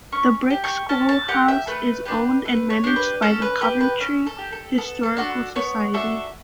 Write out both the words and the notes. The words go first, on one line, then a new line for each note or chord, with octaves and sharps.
The Brick School House is owned and managed by the Coventry Historical Society.
C#4 C#6
G4
C#6
C#4 A5
A5
G4 F#5
E5
A3 B4
D4 G4 B4
A3 B4
C#5
D4 G4
B4
C#4 A4
B4
G4 B4
B4
C#4 A4
A4
G4
A4
B3 A4
A4
D4 F#4 A4
B3 C#5
D4 F#4 A4 E5